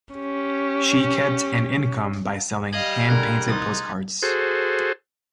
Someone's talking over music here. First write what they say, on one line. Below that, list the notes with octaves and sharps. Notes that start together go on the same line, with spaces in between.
She kept an income by selling hand-painted postcards.
C#4 G4
G3 D#5 F5 G#6 F#7 G7
A#2 D3 G#3 A#4 F#6 G#6
C2 D#3 D#4 C6 D#6 A6
F#4 G#4 A4 C5